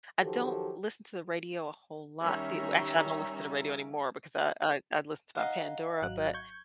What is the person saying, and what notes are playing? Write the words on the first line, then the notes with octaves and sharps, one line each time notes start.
I don't listen to the radio a whole lot. The we actually, I don't listen to the radio anymore because I I I'd listen to my Pandora, but
D#3 F3 F#3 G4 A4
D#3 G3 C#4 E5 A#5
D#4 F5 F#5
G#1 F#3 F#6
C#6 G6 G#6